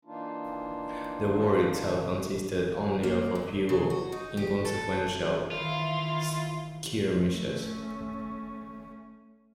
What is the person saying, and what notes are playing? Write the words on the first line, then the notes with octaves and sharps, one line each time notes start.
The war itself consisted only of a few inconsequential skirmishes.
E3 A#3 D4 D#4 F4
A#3
G2
C#3
F#4
D#4
G4
A4
D#3 E3 E4 F4 E5 F5
A3 C#4